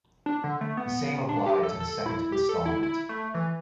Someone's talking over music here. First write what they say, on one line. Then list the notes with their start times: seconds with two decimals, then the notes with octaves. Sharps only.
The same applied to the second instalment.
0.26 D4
0.44 D3
0.61 A3
0.77 B3
1.29 D4
1.46 G4
1.63 A4
1.80 A4
2.06 E4
2.32 G4
2.49 A4
2.66 E4
2.83 E4
3.09 A3
3.34 E3